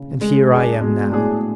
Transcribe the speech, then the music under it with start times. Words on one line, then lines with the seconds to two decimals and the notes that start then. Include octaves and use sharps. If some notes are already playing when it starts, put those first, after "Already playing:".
And here I am now.
Already playing: C#3
0.21 G#3
0.52 D4 G#4
0.81 B2 G#3
1.12 A2 D4 G#4